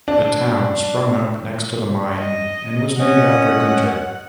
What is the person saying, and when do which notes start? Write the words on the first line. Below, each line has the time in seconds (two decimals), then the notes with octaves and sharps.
A town sprung up next to the mine and was named after Gunter.
0.08 D4
2.18 D#5
2.99 C#4 D#5 F#5